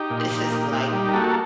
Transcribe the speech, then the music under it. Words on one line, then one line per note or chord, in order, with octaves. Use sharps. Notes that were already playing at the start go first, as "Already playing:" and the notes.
this is, like,
Already playing: D#4 G4
A#2
A#2
A#3
A#2
G3
A#4
A#3 F#4 A4